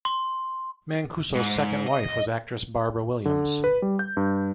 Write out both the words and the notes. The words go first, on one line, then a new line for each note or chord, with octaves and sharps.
Mancuso's second wife was actress Barbara Williams.
C6
G#2
D#5
D3
B4
G3
G6
G2